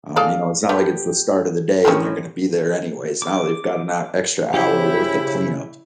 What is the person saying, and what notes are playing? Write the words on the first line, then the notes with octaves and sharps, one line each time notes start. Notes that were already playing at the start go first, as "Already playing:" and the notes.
um, you know, it's not like it's the start of the day and they're gonna be there anyways, now they've got an hou extra hour worth of cleanup.
G#4 A4 D5 F5
G3 A3 B3 G4
A2 D#3 A3 C4 C#4
D6
C#3 E4 G4 C5